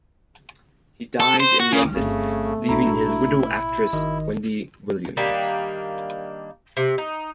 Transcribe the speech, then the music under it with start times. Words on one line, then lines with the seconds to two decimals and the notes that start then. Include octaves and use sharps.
He died in London leaving his widow actress Wendy Williams.
1.20 A4
1.40 C5
1.60 F#4
1.72 C#3
1.92 G1 C#3 A3 C4
2.69 A1 B2 D4 E4 F#4 A#5
3.40 B5
3.93 G#1 D#3 D#5
5.17 D#3 G3 A#3 D4
6.77 C3
6.98 D#4